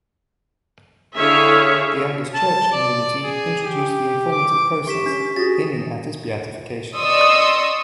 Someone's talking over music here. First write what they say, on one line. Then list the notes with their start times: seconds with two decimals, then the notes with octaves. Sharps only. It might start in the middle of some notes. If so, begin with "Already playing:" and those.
The Angers Church Community introduced the informative process, aiming at his beatification.
1.16 D3 E4 G#4 C#5 E5 F5
2.34 A5
2.72 D5
3.24 G#4
3.64 G4
4.31 D6
4.87 G4 C#6 B6 E7
5.06 C#4 D4
5.36 F4 F#4 G#4 A6 A#6
6.97 D5 D#5 C6 C#6 D#6 E6